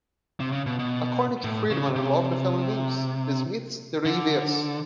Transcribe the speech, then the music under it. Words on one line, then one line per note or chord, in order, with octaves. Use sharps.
According to Freedman I loved the family names - the Smiths, the Reivers.
C3
C#3
B2
B2
A2
C#3
C3
D3